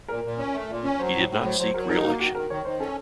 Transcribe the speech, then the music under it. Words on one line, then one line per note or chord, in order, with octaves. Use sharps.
He did not seek reelection.
A#2 A#4
A#2
C#4
A3
A#2
C#4
F#3 C5
A2
A2
F#3 C5
F#3 C5
F#3 A#4
D#4 A#4
A#3 F#4
D#3 F#4
D#3 A#4
D#3 C#5
D#3 C5
C#4 A4